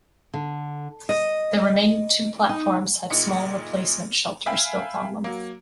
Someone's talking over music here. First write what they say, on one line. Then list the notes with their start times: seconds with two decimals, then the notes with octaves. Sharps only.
The remaining two platforms had small replacement shelters built on them.
0.34 D3
1.09 D#5
2.49 D#4
3.10 F#1 A#2 D#4 C#7
4.46 E5 F5 G5 G#5 B5
5.24 F#3 A#3